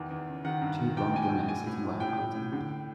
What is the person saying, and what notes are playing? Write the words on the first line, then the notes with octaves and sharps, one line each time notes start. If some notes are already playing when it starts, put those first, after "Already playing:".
Two blond women are sitting by a fountain.
Already playing: E2 D#3
E2
C#3
D#3 F#5
G2
D#3
E2 G5
E2 G#5
G5
B2
A2 G#5
A2
A2
A2 G5
A2
A2
D3